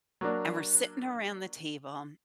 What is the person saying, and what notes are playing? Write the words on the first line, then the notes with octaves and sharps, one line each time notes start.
and we're sitting around the table,
F#3 A#3 D4